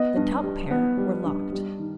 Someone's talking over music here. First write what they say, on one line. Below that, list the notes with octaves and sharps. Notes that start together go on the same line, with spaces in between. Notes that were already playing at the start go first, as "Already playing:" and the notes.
The top pair were locked.
Already playing: B3 D#5
G2
G3
B3
G3
G2
G3
D#3